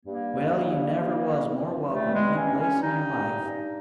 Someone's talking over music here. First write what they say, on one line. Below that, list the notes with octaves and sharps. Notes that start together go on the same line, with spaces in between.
Well, you never was more welcome any place in your life.
G2 A#3
G2
G2
G2
E3
E3
G2 A3
G#3
E3
C#4
G2
C#4
G2 D#4
G2
G2